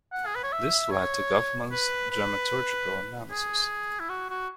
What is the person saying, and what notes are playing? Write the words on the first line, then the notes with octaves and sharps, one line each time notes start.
This led to Goffman's dramaturgical analysis.
F#5
G#4
B4
C#5
E5
C#5
B4
B4
G#4
E4
F#4
F#4